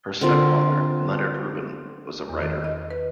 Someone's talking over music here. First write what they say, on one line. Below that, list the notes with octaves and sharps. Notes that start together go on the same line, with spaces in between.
Her stepfather, Leonard Rubin, was a writer.
D3 C4 F4 A#4
E2
D#3
D#5
B4